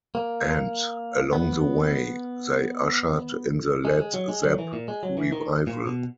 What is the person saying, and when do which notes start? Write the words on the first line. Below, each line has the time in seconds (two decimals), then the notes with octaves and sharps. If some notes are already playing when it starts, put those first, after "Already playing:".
And, along the way, they ushered in the Led Zep revival.
0.15 A#3
1.33 B3
3.85 G#3
3.99 G#3
4.14 F#3
4.29 G#3
4.43 F#3
4.59 E3
4.73 A#2
4.88 G#3
5.03 F#3
5.18 E3
5.32 D#3
5.67 A#2
5.87 B2